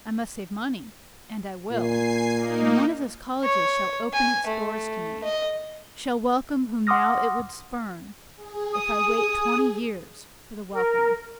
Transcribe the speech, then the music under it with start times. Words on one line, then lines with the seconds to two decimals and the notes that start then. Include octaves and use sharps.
I must save money, and I will; and one of those colleges shall open its doors to me--shall welcome whom now it would spurn, if I wait twenty years for the welcome.
1.72 A#2 G#5 C7
2.35 A#3 D#4
3.44 C#5
4.13 G#5
4.47 A3
5.24 D#5
6.87 F#5 C6 D6 D#6 F6 A#6
8.36 G#4
8.74 D#6
10.72 A#4